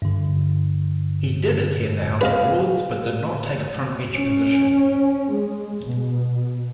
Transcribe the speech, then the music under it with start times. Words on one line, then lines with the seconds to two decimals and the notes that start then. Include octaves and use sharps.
He did attend the House of Lords but did not take a front-bench position.
0.02 G2 D3
2.21 G#4 B4 D#5 F5
4.15 C#4
5.31 G#3
5.85 B2